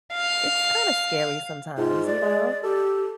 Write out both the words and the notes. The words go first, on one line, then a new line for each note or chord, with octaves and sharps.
it's kinda scary sometimes, you know,
F5
G#2 F4
D5
G#3
G4 A4